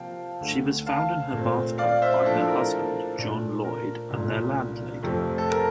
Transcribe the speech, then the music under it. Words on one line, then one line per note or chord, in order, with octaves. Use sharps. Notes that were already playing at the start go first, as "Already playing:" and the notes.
She was found in her bathtub by her husband, John Lloyd, and their landlady.
Already playing: C3 F3 A#3 F5 G5 A5
D2 D3 A3
F5 A5
A#2 A3 C4
D5 F5
C5 E5
A2 F3 A#3 D4 A4
A4
A#4
A4
A#2 A3 D4
A#4
C2 A#2 A3
F2 C3 F3 A3 C4
A4
A#4